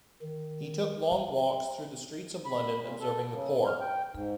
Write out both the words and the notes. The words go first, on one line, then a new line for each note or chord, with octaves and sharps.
He took long walks through the streets of London observing the poor.
D#3
B5
A#2
A4
C#3
G#2
F6
G5
G#2